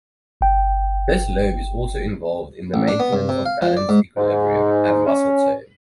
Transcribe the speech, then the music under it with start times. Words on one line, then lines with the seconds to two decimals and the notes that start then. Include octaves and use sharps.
This lobe is also involved in the maintenance of balance equilibrium and muscle tone.
0.41 G1 G5
2.74 A1
2.88 D4
3.00 B3
3.13 G2
3.29 C3
3.46 F5
3.62 F3
3.77 D5
3.89 G#2
4.17 G#2
5.07 C#4